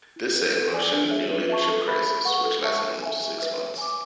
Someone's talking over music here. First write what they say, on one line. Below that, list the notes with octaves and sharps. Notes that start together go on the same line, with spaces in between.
This set in motion a new leadership crisis, which lasted almost six months.
E4
G#4 B4
A4
D5 G#5 D6
D4
G#4 C#5 E5
B4
E5 A5 C#6
A4
E5 B5
G#4
B4 F#5 C#6
A4
E5 A5 C#6
A4
E5 G#5
G#4
B4 E5
C#5
G#5 D6